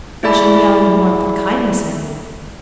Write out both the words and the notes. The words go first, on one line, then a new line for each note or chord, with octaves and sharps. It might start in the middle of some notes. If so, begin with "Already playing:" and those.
'Fresh and young in warmth and kindness, I mean.
E4 G#4 D5 E5 B5